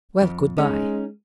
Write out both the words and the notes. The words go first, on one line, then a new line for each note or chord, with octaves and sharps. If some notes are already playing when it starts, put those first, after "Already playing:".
Well, good-by.
F2
G#3 C#4 D#4